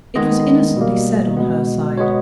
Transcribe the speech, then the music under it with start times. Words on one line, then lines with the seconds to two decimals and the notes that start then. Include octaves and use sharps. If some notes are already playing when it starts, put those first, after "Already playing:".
It was innocently said, on her side.
0.16 D#3 G#3 B3 D#5
0.76 B2 G3 A#3
1.36 B2 G#3 B3
1.97 B2 G#3 B3 C#5